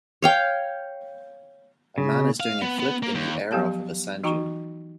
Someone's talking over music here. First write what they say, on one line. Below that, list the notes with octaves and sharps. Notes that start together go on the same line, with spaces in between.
A man is doing a flip in the air off of a sand dune.
C#5 F5 G5
C#3
F5
B3
B3
A#3
D#2
F3 F#3 B3 G4 F5 A5
E3 D#4 F#4 G5 A#5 C#6